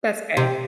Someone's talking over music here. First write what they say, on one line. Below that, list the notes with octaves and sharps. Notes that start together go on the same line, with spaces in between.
That's fair.
C3